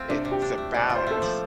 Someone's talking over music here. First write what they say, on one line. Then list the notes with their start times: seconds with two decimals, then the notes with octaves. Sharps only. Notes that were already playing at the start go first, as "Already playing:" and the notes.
It's a balance,
Already playing: A3 C4 F4
0.09 C3 D4
0.25 C3
0.31 G4
0.42 D4
0.58 A3
0.74 C3 D5
0.90 F4
0.95 C5
1.07 A3 A4
1.17 C5
1.22 F3